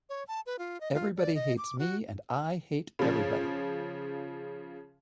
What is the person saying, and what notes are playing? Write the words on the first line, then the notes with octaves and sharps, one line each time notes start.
Everybody hates me, and I hate everybody!
C#5
A5
B4
F4
D#5
F4
D5
D#5
D6
F#4
C#3 F3